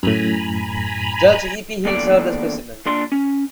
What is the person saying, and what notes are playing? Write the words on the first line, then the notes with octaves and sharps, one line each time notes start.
Judge E. P. Hill served as president.
F#2 A2 G#5 A#5 B5
E2 A#2 D3 D4 D5 G5
A#2 D4 C6
C#4